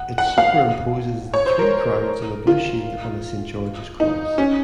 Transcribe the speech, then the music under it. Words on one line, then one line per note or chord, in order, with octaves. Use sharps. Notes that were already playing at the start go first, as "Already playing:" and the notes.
It superimposes the three crowns in a blue shield on a Saint George's cross.
Already playing: F#5
F#5
F5
C#5
C5
A#4
F4
D#4
C#4